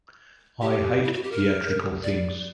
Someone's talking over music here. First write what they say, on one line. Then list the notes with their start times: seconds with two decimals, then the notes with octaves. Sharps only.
I hate theatrical things.
0.62 G4
1.04 E4
1.13 F#4
1.23 G4
1.32 A#4
2.04 D5